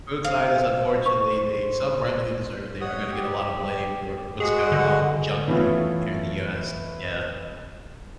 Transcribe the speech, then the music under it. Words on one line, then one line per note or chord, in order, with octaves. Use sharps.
food scientists, unfortunately they some rightly deserved, they are gonna get a lotta blame for what's going on with the junk food here in the US, yeah,
C5 F5
C#6
C#5 F#5 D#6
G4
G#3 F#4 G#4 F#5
D3
E3 A3 B3 C#4 E4 F4